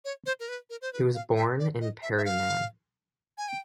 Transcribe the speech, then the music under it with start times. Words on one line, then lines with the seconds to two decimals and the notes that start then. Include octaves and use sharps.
He was born in Perryman.
0.05 C#5
0.26 C5
0.40 A#4
0.48 B4
0.70 A#4
0.82 C5
0.93 B4
1.14 F5
1.36 E5
1.59 D5
1.81 D#5
2.02 E5
2.18 E5
2.25 F5
3.38 G#5
3.48 G5